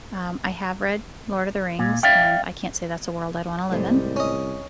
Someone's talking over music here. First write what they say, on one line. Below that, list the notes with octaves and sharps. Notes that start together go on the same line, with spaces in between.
Um, I have read Lord of the Rings, and I can't say that's a world I'd want to live in.
A#2
D5 E5 F5 G5
C2 G#2 G3 A3
C#4 D#5